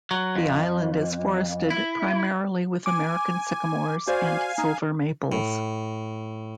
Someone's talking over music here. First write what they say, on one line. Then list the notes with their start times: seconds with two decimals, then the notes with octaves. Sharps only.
The island is forested primarily with American sycamores and silver maples.
0.11 F#3
0.36 F2
1.70 E4
2.86 G#5 D6
4.07 F#4 C5 D5 F5 G#5
4.58 D#4
5.32 A2